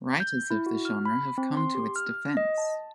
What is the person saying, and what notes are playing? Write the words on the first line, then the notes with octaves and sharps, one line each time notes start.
Writers of the genre have come to its defense.
G6
E4
F#4
F6
B5
C4
C6
G4
F6
D#5
A5